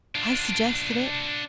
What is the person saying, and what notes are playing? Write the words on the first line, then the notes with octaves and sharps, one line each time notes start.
I suggested it.
D4 F4